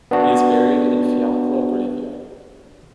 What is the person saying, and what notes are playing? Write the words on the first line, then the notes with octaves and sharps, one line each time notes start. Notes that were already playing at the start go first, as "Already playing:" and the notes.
He is buried in Fiacla graveyard.
B3 D4 F#4